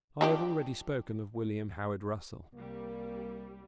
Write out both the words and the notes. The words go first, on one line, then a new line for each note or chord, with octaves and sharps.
I have already spoken of William Howard Russell.
F3 D4 G4
C2 G3 A#3